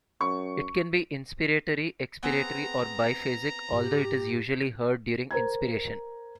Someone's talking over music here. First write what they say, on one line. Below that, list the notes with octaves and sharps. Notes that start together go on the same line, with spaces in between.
It can be inspiratory, expiratory or biphasic, although it is usually heard during inspiration.
F#2 C#6
B3 C4 G#4 A#5
G#2 G4
A#4 C5 A#5 G#6